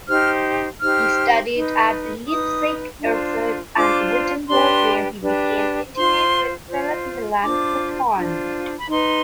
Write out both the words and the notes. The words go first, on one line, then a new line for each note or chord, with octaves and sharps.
He studied at Leipzig, Erfurt and Wittenberg, where he became intimate with Philipp Melanchthon.
D#4 G4 C5 F6
D#4 G4 C5 F6
D#4 B4
D#4 B4 D#6
D4 F4 C5
D4 F4 C5 D6
D4 G4 B4 C6
D4 G4 B4
F4 C5 C6
F4 C5
D4 F4 C5 D6
D4 F4 C5
B5
D#4 B4 C6